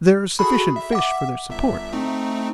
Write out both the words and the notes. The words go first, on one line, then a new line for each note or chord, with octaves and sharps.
There are sufficient fish for their support.
F#4 G#4 A4 B5
E5
F#5 D6
G1 E5
A3 C4 D#4